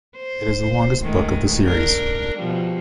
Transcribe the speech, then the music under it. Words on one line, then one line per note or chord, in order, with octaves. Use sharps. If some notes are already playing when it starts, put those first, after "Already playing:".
It is the longest book of the series.
C5
D#3 G#3 A3
D4 A#4
B2 F3 G3